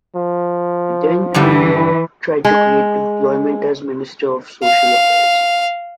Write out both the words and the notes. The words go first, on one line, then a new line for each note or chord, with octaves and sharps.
Den Uyl tried to create employment as minister of social affairs.
F3
G2 D3 E3 G3
B4
G#3
F5